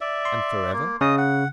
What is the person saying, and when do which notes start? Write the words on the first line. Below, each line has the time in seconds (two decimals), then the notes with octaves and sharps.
And forever?
0.01 D5 E5
0.25 C6
0.73 A#3
1.01 C#3 D#5 D#6
1.18 F#5